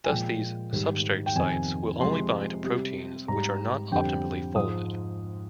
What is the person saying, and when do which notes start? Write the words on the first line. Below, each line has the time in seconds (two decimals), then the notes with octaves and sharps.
Thus, these "substrate sites" will only bind to proteins which are not optimally folded.
0.04 G#5
0.08 A#2 F3 G#3 G5
0.72 G#2 D#3 G3
1.26 G5
1.36 F2 C3 D#3 G#5
2.00 C3 F3 G#3 C6
2.64 C3 G3
3.28 G#2 G3 A#5
3.92 F2 D3 G3 G5
4.55 G#2 F3 G#3 D#6